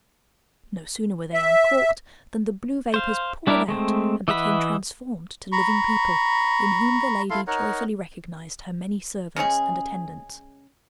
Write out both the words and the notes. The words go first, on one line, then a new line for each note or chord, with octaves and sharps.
No sooner were they uncorked than the blue vapours poured out and became transformed to living people, in whom the lady joyfully recognised her many servants and attendants.
E5
C5 F5
G3 D4 E4 G4 A#4
G#3 A3 C4
E3 D#5 E5 F#5 B5
A#5 B5 C#6
E4 A4 F5 C6
D#4 A#4 C#5 F#5
C#3 G#3 C#4 G#4